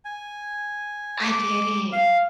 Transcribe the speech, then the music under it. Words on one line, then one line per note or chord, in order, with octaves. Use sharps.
I didn't.
G#5
D6
F5